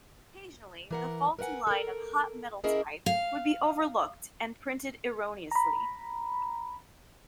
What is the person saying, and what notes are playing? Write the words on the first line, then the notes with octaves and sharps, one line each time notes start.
Occasionally the faulty line of hot-metal type would be overlooked and printed erroneously.
E3 A#4 F#5
A#4 B4 D#5 F#5 G#5
A4 A#4
C#4 E4 G#4 A#4 D#5
F5
A#5 B5